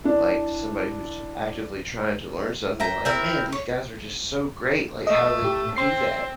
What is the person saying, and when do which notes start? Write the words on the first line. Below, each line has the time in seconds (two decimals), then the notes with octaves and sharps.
like, to somebody who's actively trying to learn something, like, "Man, these guys are just so great, like, how do they do that?"
0.04 D4 E4
2.80 E5 G5 A#5
3.05 C4 E4 A#4
3.52 C#5
5.07 A3 D#5
5.42 A2 G4
5.77 C4 C6 C7